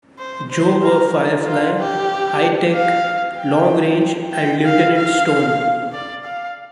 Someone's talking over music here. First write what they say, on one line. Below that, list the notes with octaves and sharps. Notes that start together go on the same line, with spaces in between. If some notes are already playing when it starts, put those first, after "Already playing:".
Joe were Firefly, Hi-Tech, Long Range and Lieutenant Stone.
C5
C5
A#4
F4
G4
F5
G5
G5
F5
F5
D5
F5